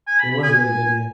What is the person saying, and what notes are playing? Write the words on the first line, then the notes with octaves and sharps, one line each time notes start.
It was really good, yeah.
G#5
B5
B5
G#5